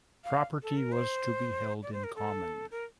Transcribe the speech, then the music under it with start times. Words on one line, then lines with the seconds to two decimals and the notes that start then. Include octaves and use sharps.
Property was to be held in common.
0.24 F5
0.63 A4
0.77 A#4
0.92 C5
1.83 D5
1.93 C5
2.04 A#4
2.16 A4
2.71 A#4